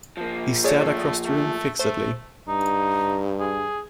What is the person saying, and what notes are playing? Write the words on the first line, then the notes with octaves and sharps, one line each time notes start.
He stared across the room fixedly.
F3 A#3
A3 G#4 C#5 D5
A3
A3 C5
G2 D#4
G#4